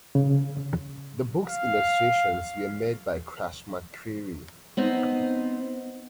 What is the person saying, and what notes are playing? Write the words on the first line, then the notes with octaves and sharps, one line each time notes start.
The book's illustrations were made by Crash McCreery.
C#3
F5
B3 C4 D#4